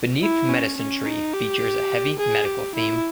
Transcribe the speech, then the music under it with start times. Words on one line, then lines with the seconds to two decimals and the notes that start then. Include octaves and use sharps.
"Beneath Medicine Tree" features a heavy medical theme.
0.21 E4
0.50 C#4
0.77 C#4
1.05 D#4
1.33 G4
2.18 G#4
2.45 G4
2.75 E4